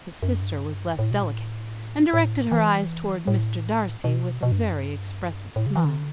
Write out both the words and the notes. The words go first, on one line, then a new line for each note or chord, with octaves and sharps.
His sister was less delicate, and directed her eyes towards Mr. Darcy with a very expressive smile.
F#2
G2
A2
B2
A2
A2
E3
A2
B2
B2
G2
F#2
G2
A2
C#3
E3
D3